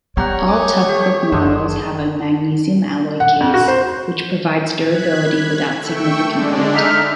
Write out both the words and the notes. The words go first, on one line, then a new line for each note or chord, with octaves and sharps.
All Toughbook models have a magnesium alloy case, which provides durability without significant weight.
G3 B3 G4 C#5 F#5 A#5
G#5 D6 D#6
A3 G4
F#1 G#3 A3 E6
F#5
F2
F#4
C5
F#6 G#6 B6
G3
A3 G5 C#6 E6
D3 G#3 D4
D#4 E5 F6